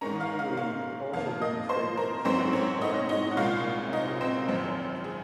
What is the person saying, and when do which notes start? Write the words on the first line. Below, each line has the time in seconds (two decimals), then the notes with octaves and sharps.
Henry Lea also demonstrated a facility for languages and analytical thought.
0.01 G#2 D#3 G#3 C#4 A#4 A#5
0.20 F5 F6
0.39 F5 F6
0.57 F5 F6
1.13 F2 D#3 A#3 F5 F6
1.41 D#5 D#6
1.69 C5 C6
1.97 A#4 A#5
2.25 G#2 F#3 C4 C#4 C5
2.53 C#4 C#5
2.81 D#4 D#5
3.09 D#4 D#5
3.31 F#5
3.37 C2 A#2 G#3 C#4 F4 F5
3.93 D#4 D#5
4.21 C4 C5
4.48 G#1 F#2 F3 C4
5.04 G#4